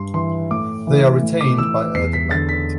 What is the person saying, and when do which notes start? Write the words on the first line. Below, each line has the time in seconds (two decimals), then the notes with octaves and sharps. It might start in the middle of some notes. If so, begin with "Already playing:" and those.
They are retained by earth embankment.
Already playing: G2 C6
0.14 E3 C6
0.51 A2 D6
0.87 E3
1.23 A2
1.41 D6
1.58 E3 E6
1.94 E2 C7
2.13 B6
2.31 D3 A6
2.49 B6